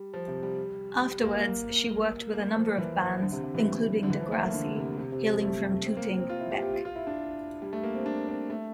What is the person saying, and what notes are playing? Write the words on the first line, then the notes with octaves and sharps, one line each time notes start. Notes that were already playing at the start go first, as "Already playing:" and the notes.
Afterwards, she worked with a number of bands, including Degrassi, hailing from Tooting Bec.
Already playing: G3
F3
C3
G3
G3
A#3
A#3
A#3
F3
E3
F3
D3
C3
C3
E3
D3
E3
F3
A3
A#3
D3
C3
C3
C3
F3
A3
C4
A#3
A#3
C4
F4
E4
G4
G4
F4
F4
E4
D4
G3
A3
A#3
C4
D4
C4
A3